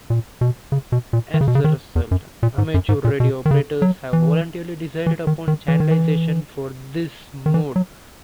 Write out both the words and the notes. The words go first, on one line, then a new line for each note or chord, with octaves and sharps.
As a result, amateur radio operators have voluntarily decided upon channelization for this mode.
A#2
B2
C#3
B2
A#2
D#3
C#3
B2
C#3
D#3
E2
F#2
A#2
G#2
F#2
G#2
A#2
B2
D#3
C#3
F#3
E3
E3
D#3
D#3
E3
D#3
E3
D#3
E3
F#3